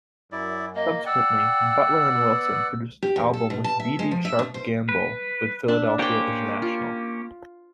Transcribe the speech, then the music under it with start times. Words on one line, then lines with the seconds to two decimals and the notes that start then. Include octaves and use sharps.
Subsequently, Butler and Wilson produced an album with Dee Dee Sharp-Gamble with Philadelphia International.
0.32 F#2 E4 D5
0.75 A#3 D#5
1.06 D5 F#5 G5 E6
2.07 B3
3.03 G4
3.16 E2
3.33 A4
3.50 B2
3.64 A5
3.80 E5
3.99 G#3
4.11 F3
4.25 E5
4.39 B2
4.54 C5
4.89 B4
5.68 D4 E5 A5
5.99 A#3 C#4 G4 C5 D5 G5
6.62 F4